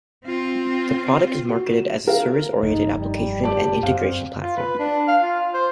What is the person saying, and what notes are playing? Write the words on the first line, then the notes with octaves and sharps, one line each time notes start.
The product is marketed as a service-oriented application and integration platform.
C4 F4
F#4
E7
G#4 A#4 F5
F1 G2 D#4
G3
G4 D5 A5
F#2 C4 F5
F4
B4
D4
F5
F4
C5